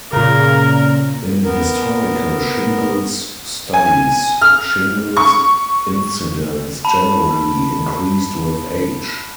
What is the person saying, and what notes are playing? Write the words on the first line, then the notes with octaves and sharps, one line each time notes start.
In historical shingles studies, shingles incidence generally increased with age.
A#2 C#3 A#4
B3 A#4
G#5
F6
C#6
A5 B5